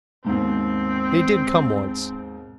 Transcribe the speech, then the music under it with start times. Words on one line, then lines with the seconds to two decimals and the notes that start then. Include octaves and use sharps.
They did come once.
0.24 D#2 G#2 B2 C4